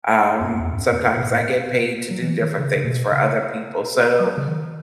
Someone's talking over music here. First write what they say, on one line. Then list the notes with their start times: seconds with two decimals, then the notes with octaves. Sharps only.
um, sometimes I get paid to do different things for other people, so,
0.41 F#2
0.59 E2
0.73 G#2
0.78 F#2
1.17 B2
1.22 A2
2.11 F#3
2.22 E3
2.40 D#3
2.58 C#3
2.76 C#3
2.85 B2
3.12 C#3
4.20 F#3
4.37 C#3
4.47 D#3